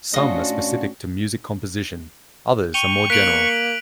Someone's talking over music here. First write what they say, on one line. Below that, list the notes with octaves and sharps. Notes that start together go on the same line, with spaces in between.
Some are specific to music composition; others are more general.
A2 C#4 D4 F4 F#4 D#5
G5 C#6 D#7 F7 G7
A#3 F#6 B6 D7 F7 F#7